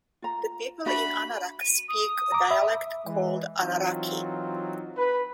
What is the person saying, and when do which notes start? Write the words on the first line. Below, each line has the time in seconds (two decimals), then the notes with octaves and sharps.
The people in Anarak speak a dialect called Anaraki.
0.22 F4 A#5
0.86 D4 F#4 E5 B5
1.60 D#7
1.88 D#6
2.32 A#5 D6
2.50 E5 B5
3.06 E3 G#3
3.59 E3 F#3 C4 D#4 F4
4.97 B4